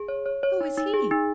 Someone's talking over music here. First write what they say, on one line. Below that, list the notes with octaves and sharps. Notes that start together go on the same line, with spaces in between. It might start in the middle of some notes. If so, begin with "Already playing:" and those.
'Who is he?
Already playing: G#4
C#5
C#5
C#5
D#4
D#4
G#4
D#4